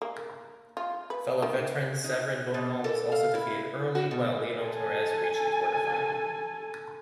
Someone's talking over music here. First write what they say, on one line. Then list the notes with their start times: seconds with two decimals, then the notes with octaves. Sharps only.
Fellow veteran Severine Bonal was also defeated early, while Lionel Torres reached the quarterfinal.
0.02 A#3
0.77 F4
1.10 B4
1.42 D#3
2.04 D#4
2.54 B2
2.84 A4
3.12 F5
3.35 E4
3.95 F#4
4.11 B2
4.58 A4 G#5